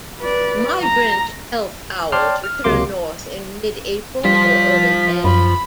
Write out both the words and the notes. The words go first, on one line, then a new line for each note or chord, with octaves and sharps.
Migrant elf owls return north in mid-April or early May.
B4 D5
A#5
C#5 D5 G5 A5 C6 F6
F6
C#2 C3 F#3 A#3 C6 D6
G3 F4 C5 B6
F#2 B5